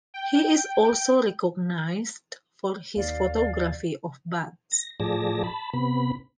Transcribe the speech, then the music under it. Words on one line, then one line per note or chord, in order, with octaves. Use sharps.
He is also recognized for his photography of bats.
G5
D#2 D5 F5
A#6
A2 F3 G#4 D5 A5 A#6
A5 B5
C3 B3 B5